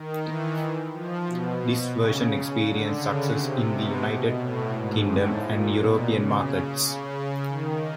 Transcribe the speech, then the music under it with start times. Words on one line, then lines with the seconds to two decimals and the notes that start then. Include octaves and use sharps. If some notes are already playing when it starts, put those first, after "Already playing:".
This version experienced success in the United Kingdom and European markets.
Already playing: D#3
0.24 E3
0.92 F3
1.27 B2
1.61 B2
1.97 C#3
2.65 D3
2.99 C#3
3.34 C3
3.69 B2
4.02 B2
4.37 A2
4.71 G#2
5.05 A2
5.41 A#2
5.75 B2
6.09 C#3
6.43 C#3
7.11 C#3
7.47 D#3